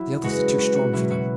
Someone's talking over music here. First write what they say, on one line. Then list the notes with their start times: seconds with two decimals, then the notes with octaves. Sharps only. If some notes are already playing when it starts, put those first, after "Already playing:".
The others are too strong for them.
Already playing: F#3 E4
0.23 C#3 G#3 F#4 B4
0.58 F#4 B4
0.76 F#4
0.93 B2 F#3 E4
1.10 F#4